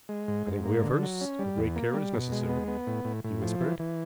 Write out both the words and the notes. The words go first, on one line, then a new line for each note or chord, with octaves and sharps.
"I think we are first, but great care is necessary," he whispered.
G#3
G#2
G#2
A#3
D3
F#3
C#4
G3
E2
A#3
G3
B2
G#3
B3
B3
A2
A2
A2
F3
E3
E3